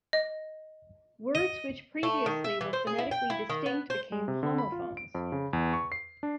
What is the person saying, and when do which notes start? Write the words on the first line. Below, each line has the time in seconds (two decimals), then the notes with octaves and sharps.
Words which previously were phonetically distinct became homophones.
0.13 D#5
1.35 D#5
2.03 A3
2.26 D#3
2.44 E5
2.61 E3
2.73 C5
2.87 G#4
2.99 E4
3.11 G5
3.30 E4
3.49 D#3
3.66 B3
3.90 C5
4.12 G#3
4.28 C3
4.43 D3
4.58 B5
4.72 F4
4.97 D7
5.15 F2
5.32 C#3
5.53 E2
5.73 C#6
5.92 C7
6.23 D4